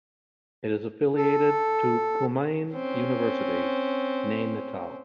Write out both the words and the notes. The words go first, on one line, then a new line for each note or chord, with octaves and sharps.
It is affiliated to Kumaun University, Nainital.
A4
C4 C#4